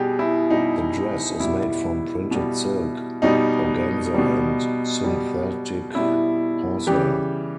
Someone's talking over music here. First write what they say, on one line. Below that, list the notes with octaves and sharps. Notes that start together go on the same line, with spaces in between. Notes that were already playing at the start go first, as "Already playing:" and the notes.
The dress is made from printed silk organza and synthetic horsehair.
Already playing: B2 G3 G4 G#4
E4
B2 G3 D#4
B2 G3 E4
B2 G3
B2 G3 D#4
B2 G3
B2 G3
B2 G3 E4
C#3 E3 G3 G4